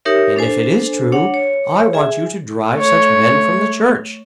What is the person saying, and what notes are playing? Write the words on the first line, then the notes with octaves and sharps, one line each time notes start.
And if it is true, I want you to drive such men from the church!
D#4 G4 A#4 C#5 E5
D4 A4 C5 G#5
D4 C#5 F#5
C#5
G#4 E5 G#5
A3 C#5